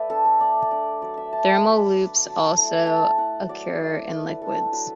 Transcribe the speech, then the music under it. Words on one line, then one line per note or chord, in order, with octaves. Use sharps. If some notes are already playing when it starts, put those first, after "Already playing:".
Thermal loops also occur in liquids.
Already playing: A3 B4 D5 E5
D4 A4
A4
A3 D5
D4 D5
F#3 D5
E5
D4 A5
D6
F#3 B5
D4
F#3 A5
A3 E4
A3 A5
E4 F#5
F#3 D5
A3 E4
A3 B4
D4 A4
F#3 B4